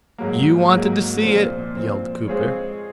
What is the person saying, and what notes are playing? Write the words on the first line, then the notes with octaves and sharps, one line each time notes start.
"You wanted to see it," yelled Cooper.
G#2 F#3 A#3
G#2 F#3 A#3
A#2 F3 C4
A#2 F3 C4
G#3 C4 F4 G#4 C#5